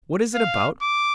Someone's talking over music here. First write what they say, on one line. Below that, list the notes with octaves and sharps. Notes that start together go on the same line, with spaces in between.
What is it about?
F5
D6